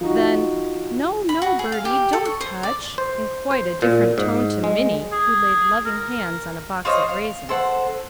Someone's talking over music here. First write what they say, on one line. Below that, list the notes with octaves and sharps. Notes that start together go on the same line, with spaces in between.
Then: "No, no, Birdie, don't touch!" in quite a different tone to Minnie, who laid loving hands on a box of raisins.
F3 D#4 F#4
B5
F#4
G#4
F5
G4
A4
C#6
C5
D5
C5
C5
A#2
G#2
G#3
G#4
A#4
F4 C5 C#5 D#5
F5
A4 C5 F#5